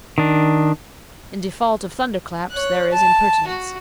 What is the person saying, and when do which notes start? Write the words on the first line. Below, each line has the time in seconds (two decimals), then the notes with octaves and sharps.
In default of thunderclaps there is impertinence.
0.18 D#3 D4
2.51 C#5 F#6
2.91 A5
3.47 F#4